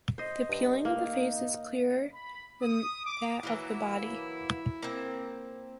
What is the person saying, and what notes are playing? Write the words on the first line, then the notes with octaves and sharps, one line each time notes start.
The peeling of the face is clearer than that of the body.
C5 D#5
G2
A#3 D#4
B5
D#6
D6
E3 F#3 A#3 E4
A#3 C4